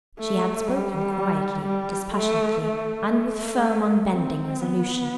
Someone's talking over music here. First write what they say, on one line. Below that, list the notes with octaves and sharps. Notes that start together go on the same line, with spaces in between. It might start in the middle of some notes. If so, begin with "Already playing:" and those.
She had spoken quietly, dispassionately, and with firm, unbending resolution.
A3
G3
G3
A3
A3
A3
C4
B3